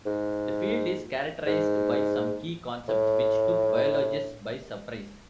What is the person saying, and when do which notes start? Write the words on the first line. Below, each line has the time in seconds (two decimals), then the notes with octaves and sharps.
The field is characterised by some key concepts, which took biologists by surprise.
0.06 G#2
1.47 G#2
2.88 A2